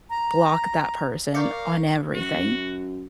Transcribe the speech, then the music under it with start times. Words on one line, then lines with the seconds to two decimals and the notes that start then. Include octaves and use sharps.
block that person on everything,
0.10 A#5
1.35 A#4 D5 F5 C#6 G6 C#7
2.14 F#2 F#4